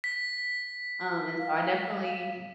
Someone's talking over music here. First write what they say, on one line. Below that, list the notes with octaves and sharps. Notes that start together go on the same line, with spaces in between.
um, and so I definitely
B6
F5